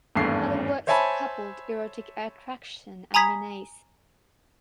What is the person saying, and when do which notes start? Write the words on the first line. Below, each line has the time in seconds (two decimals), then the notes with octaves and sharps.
Other works coupled erotic attraction and menace.
0.16 G#1 E2 G2 A3 C7
0.87 C5 C#5 E5 G#5 A5 B5
3.14 G#5 A#5 B5 D#6 G#6 B6